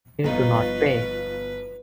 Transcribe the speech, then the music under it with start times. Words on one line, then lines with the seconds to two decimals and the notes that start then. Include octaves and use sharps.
They do not pay.
0.24 G1 F3 B3 D#4 F4 F#4 B4